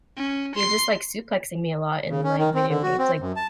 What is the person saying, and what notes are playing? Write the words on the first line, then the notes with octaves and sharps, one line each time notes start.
he's just, like, suplexing me a lot in, like, video games, like
C#4
C6 C7
C#3
C#4
D#3
C4
D3
F#4
C4
F#2
A5